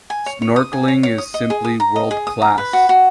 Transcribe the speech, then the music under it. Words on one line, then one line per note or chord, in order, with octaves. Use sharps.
Snorkelling is simply world class.
G#5
C#5
C#5
D#6
G#5
C#5
C#5
D#6
D#5
G#4
D#6
A#5
D#5
G#4
D#6
A#5
B4
F#4
F#4